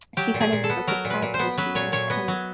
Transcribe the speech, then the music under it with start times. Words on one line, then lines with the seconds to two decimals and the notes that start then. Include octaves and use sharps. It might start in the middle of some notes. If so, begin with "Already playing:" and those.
she kinda grew up with cats, so she's kind of
0.17 F#3 G4
0.34 A#2
0.40 G#4
0.52 A#2
0.64 A4
0.70 B3
0.87 F#3 A#4
1.05 A#2
1.10 B4
1.22 A#2
1.34 C5
1.39 B3
1.58 F#3 B4
1.75 A#2 C#5
1.92 A#2 C#5
2.10 B3 D#5
2.28 F#3